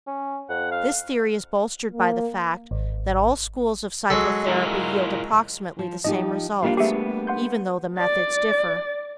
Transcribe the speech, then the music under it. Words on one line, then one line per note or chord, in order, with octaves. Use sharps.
This theory is bolstered by the fact that all schools of psychotherapy yield approximately the same results even though the methods differ.
C#4
F2 F#5
F5
A#3
G#1
F#3 G#3 A4
E4 F4 A#4
F3
F3 D#4 G4 D#5
G3 A#3 D4 F4 G4 F5
A3 B3 G4 G#4 E5
F#5 C6 G6
D5